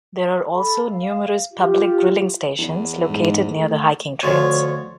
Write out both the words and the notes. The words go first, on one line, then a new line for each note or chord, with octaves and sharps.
There are also numerous public grilling stations located near the hiking trails.
A4 B5
F5
F4 G4
E2
G#2
A3
D2 F3 C#5